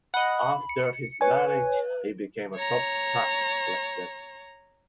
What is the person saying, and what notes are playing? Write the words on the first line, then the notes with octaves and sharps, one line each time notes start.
After his marriage, he became a top tax collector.
D#5 F#5 B5
C#7
B4 C#5 G#5
C#5 A#5